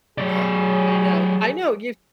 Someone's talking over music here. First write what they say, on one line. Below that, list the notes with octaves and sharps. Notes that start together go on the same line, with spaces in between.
Oh, I know. I know you
F#3 G4 G#4 C#5 D5